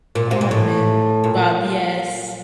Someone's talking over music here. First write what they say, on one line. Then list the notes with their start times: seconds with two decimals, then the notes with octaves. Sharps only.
Oh man, Bob Yes.
0.15 A#2
0.31 C3
0.41 A#2
0.51 A2
1.24 A#2